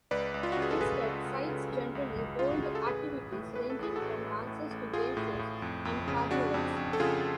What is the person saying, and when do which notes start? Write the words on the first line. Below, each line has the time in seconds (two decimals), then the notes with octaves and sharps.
Instead, sites generally hold activities ranging from dances to game shows and carnivals.
0.11 C#2 B4 D5
0.34 C#2
0.43 F4
0.52 F#4
0.57 C#3
0.62 G#4
0.71 A4
0.80 C#3 G#4 B4
1.03 C#2
1.26 C#2
1.49 C#3
1.72 C#3
1.95 C#2
2.18 C#2
2.39 C#3 F4
2.51 F#4
2.63 C#3 G#4
2.75 A4
2.86 A1 G#4 B4
3.09 A1
3.32 A2
3.56 A2 B4
3.70 A4
3.79 A1 G#4
3.96 F#4 A4
4.02 A1
4.25 A2
4.47 A2
4.71 A1
4.93 A1 F4 G#4
5.17 A2
5.39 A2
5.62 F2
5.85 F2
6.08 C#3
6.31 C#3 D4 F#4
6.54 F2
6.76 F2
6.93 A4
7.00 C#3 F4 G#4